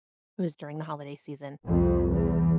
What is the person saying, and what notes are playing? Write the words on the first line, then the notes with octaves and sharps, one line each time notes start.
it was during the holiday season,
C2 F2
E2